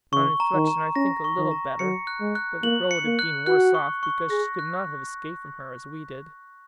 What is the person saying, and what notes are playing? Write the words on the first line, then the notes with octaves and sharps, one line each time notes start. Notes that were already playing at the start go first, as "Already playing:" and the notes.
On reflection, I think a little better; but the girl would have been worse off, because she could not have escaped from her as we did.
C#3 C#6
A#5
D#3
A#5
C#4 A#6
C#6
D#3
A#5
F#3 C#7
F#6
G#3
F#6
A#3 F#7
C#7
A#3
F#6
F#4 F#6
C#6
C#6
G#4 A#6
F#6